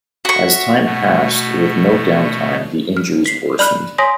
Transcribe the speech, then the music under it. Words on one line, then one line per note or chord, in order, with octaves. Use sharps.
As time passed, with no down time, the injuries worsened.
F#4 E5 C#6
B2 A3
F6
B6 C7
D5 B5 F6 F#6
C#5 G#5 C6 D#6 A#6 B6